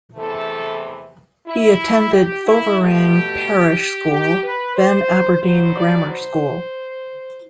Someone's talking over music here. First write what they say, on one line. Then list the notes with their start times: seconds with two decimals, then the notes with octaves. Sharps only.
He attended Foveran Parish School then Aberdeen Grammar School.
0.15 E2 C3 E3 A3 A4
1.47 E4
2.12 G4
2.46 E4
2.78 B2 A3 G4
4.11 G4
4.43 B4
4.76 C5
5.41 B2 F#3 B3 C5
5.75 D5
6.08 C5